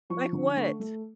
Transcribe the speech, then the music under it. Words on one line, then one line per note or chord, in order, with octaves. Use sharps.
Like what?
F3 C#6
D3
A3
A3